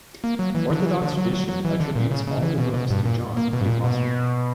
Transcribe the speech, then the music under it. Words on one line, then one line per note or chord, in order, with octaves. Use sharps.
Orthodox tradition attributes all the books to John the Apostle.
A#3
F#3
E3
D3
F#3
E3
D3
F#3
F#3
F#3
E3
D3
A#2
C#3
C#3
E3
B2
B2
G2
A#2
A#3
B2
G2
A#2
B2